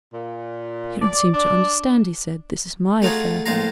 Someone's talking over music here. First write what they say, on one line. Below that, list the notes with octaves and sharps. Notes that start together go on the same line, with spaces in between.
"You don't seem to understand," he said, "this is my affair."
A#2
D5
D4
A3 D#4 F4 F#4 G#4
A#1 A2 G#3 F4 F5 A#5